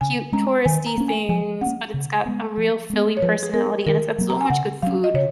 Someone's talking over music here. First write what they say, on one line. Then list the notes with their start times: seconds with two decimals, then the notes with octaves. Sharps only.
cute touristy things, but it's got a real Philly personality and it's got so much good food
0.01 C#3 G#5
0.32 G#3 C#4 A#5
0.65 D#3 G#5
0.86 A#5
0.98 A#3 C#4
1.08 G#5
1.29 F3 G#5
1.61 C#4 F#5
1.66 A#3
1.94 C#3
2.26 G#3 B3
2.57 F3
2.90 G#3 B3
3.17 C#5
3.22 F3 B4
3.43 G#4
3.53 B3 A#4
3.86 D#3 A#4
4.18 F#3 A#3
4.30 A#5
4.41 G#5
4.50 C#3 F#5
4.82 F#3 C#4 F5
5.04 D#5
5.14 C#3 C#5